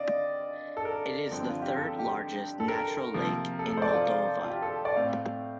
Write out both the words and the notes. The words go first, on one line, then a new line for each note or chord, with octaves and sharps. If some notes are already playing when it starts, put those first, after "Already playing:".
It is the third largest natural lake in Moldova.
Already playing: D3 C4 D5 D#5 F5
A4
A#4
G2 D3 F3 C4
F4
G4
A4
G4
A4
A#4
C3 F3 A#3
A4
A4
C5
D5
F4
F4
G4
A4
D5
A2 A3 C4 F5